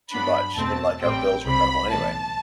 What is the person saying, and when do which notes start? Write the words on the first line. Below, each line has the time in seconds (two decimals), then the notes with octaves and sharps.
too much and, like, our bills were minimal anyway,
0.12 G2 F#3 B3 D4 B5
0.56 E2 B2 A3 C4 A5
1.01 A1 A2 G3 C4 G5
1.45 C2 C3 F#3 B5
1.90 B1 A2 E3 A5